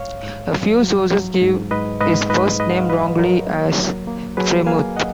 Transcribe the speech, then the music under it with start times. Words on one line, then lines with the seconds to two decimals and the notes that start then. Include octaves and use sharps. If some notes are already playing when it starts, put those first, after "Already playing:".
A few sources give his first name wrongly as "Freimuth".
Already playing: G#2 C#5 F5
0.23 G#2
0.52 F#3
0.82 F#3
1.11 F#3
1.42 G#2
1.71 G#2 B4 D#5
2.01 G#2 B4 D#5
2.30 G#2 B4 D#5
2.60 G#2 B4 D#5
2.70 F#5
2.80 F5
2.89 F#3 B4 D#5
3.19 F#3 A#4 C#5
3.48 A#3
3.78 F#3
4.07 A#3
4.37 F#3 G#4 B4
4.66 A#3 F5 G#5
4.96 D#5 F#5